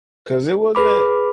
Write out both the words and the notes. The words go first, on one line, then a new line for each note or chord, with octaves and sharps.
'cause it wasn't
G#4 B4 B5 D6